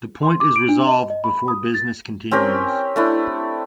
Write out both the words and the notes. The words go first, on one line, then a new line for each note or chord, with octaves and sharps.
The point is resolved before business continues.
C6
D6
D7
D4
D#5
D#5
B5
D#6
A6
C4 C#4 G4 A#4
A3 D4 E4